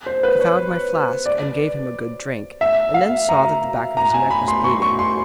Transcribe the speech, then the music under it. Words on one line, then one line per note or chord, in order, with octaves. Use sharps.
I found my flask, and gave him a good drink, and then saw that the back of his neck was bleeding.
C5
B4
C#5
D5
E5
F5
A#5
A#5
G#5
B5
C6
C#6
C#6
C6